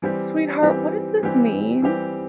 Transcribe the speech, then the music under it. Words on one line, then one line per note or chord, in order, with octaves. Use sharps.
"Sweetheart, what does this mean?"
E3 G3 C4 G4
E3 G3 C4 G4
E3 G3 C4 G4
E3 G3 C4 G4